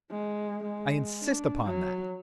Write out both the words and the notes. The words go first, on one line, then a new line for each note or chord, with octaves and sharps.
I insist upon that.
G#3
G#3
D4
F#3